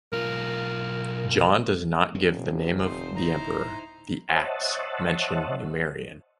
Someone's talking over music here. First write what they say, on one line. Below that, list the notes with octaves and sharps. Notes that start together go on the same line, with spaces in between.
John does not give the name of the emperor; the "Acts" mention Numerian.
B1 F4 A#4
F1 E3 C4 C#4
D1 C4 D#4 C5
D#4 E4 C5 A#5
C5 C#5 D#5 E5 F#5 A5